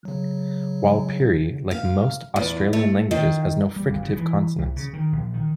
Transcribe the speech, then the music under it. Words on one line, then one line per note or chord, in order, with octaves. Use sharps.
Warlpiri, like most Australian languages, has no fricative consonants.
C#3 F#3
F5
E2
A3
D#3
G3
G1
C#3
E3
C2
C#3
D#3
A#1
D#3